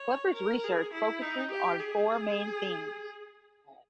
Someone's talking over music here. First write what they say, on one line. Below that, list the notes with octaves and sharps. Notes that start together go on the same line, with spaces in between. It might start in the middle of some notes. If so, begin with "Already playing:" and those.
Clifford’s research focuses on four main themes.
Already playing: C#5
A#4
G#4
E4
D#4
G4
G#4